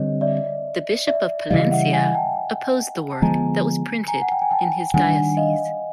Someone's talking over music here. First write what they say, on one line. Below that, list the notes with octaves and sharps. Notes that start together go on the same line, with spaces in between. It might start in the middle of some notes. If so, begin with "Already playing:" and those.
The Bishop of Palencia opposed the work that was printed in his diocese.
Already playing: D3 G3 C4 C#5 D#5
D5 E5
D5 E5
C#3 E3 G3 D#5 F5
E5 F#5
F#5 G#5
G5 A5
A5
D3 F3 G#3 B3 G#5 A#5
G#5 A#5
F#5
G5
G#5
G5 A5
D#3 G3 B3 D4 F#5 G#5
D#5 F5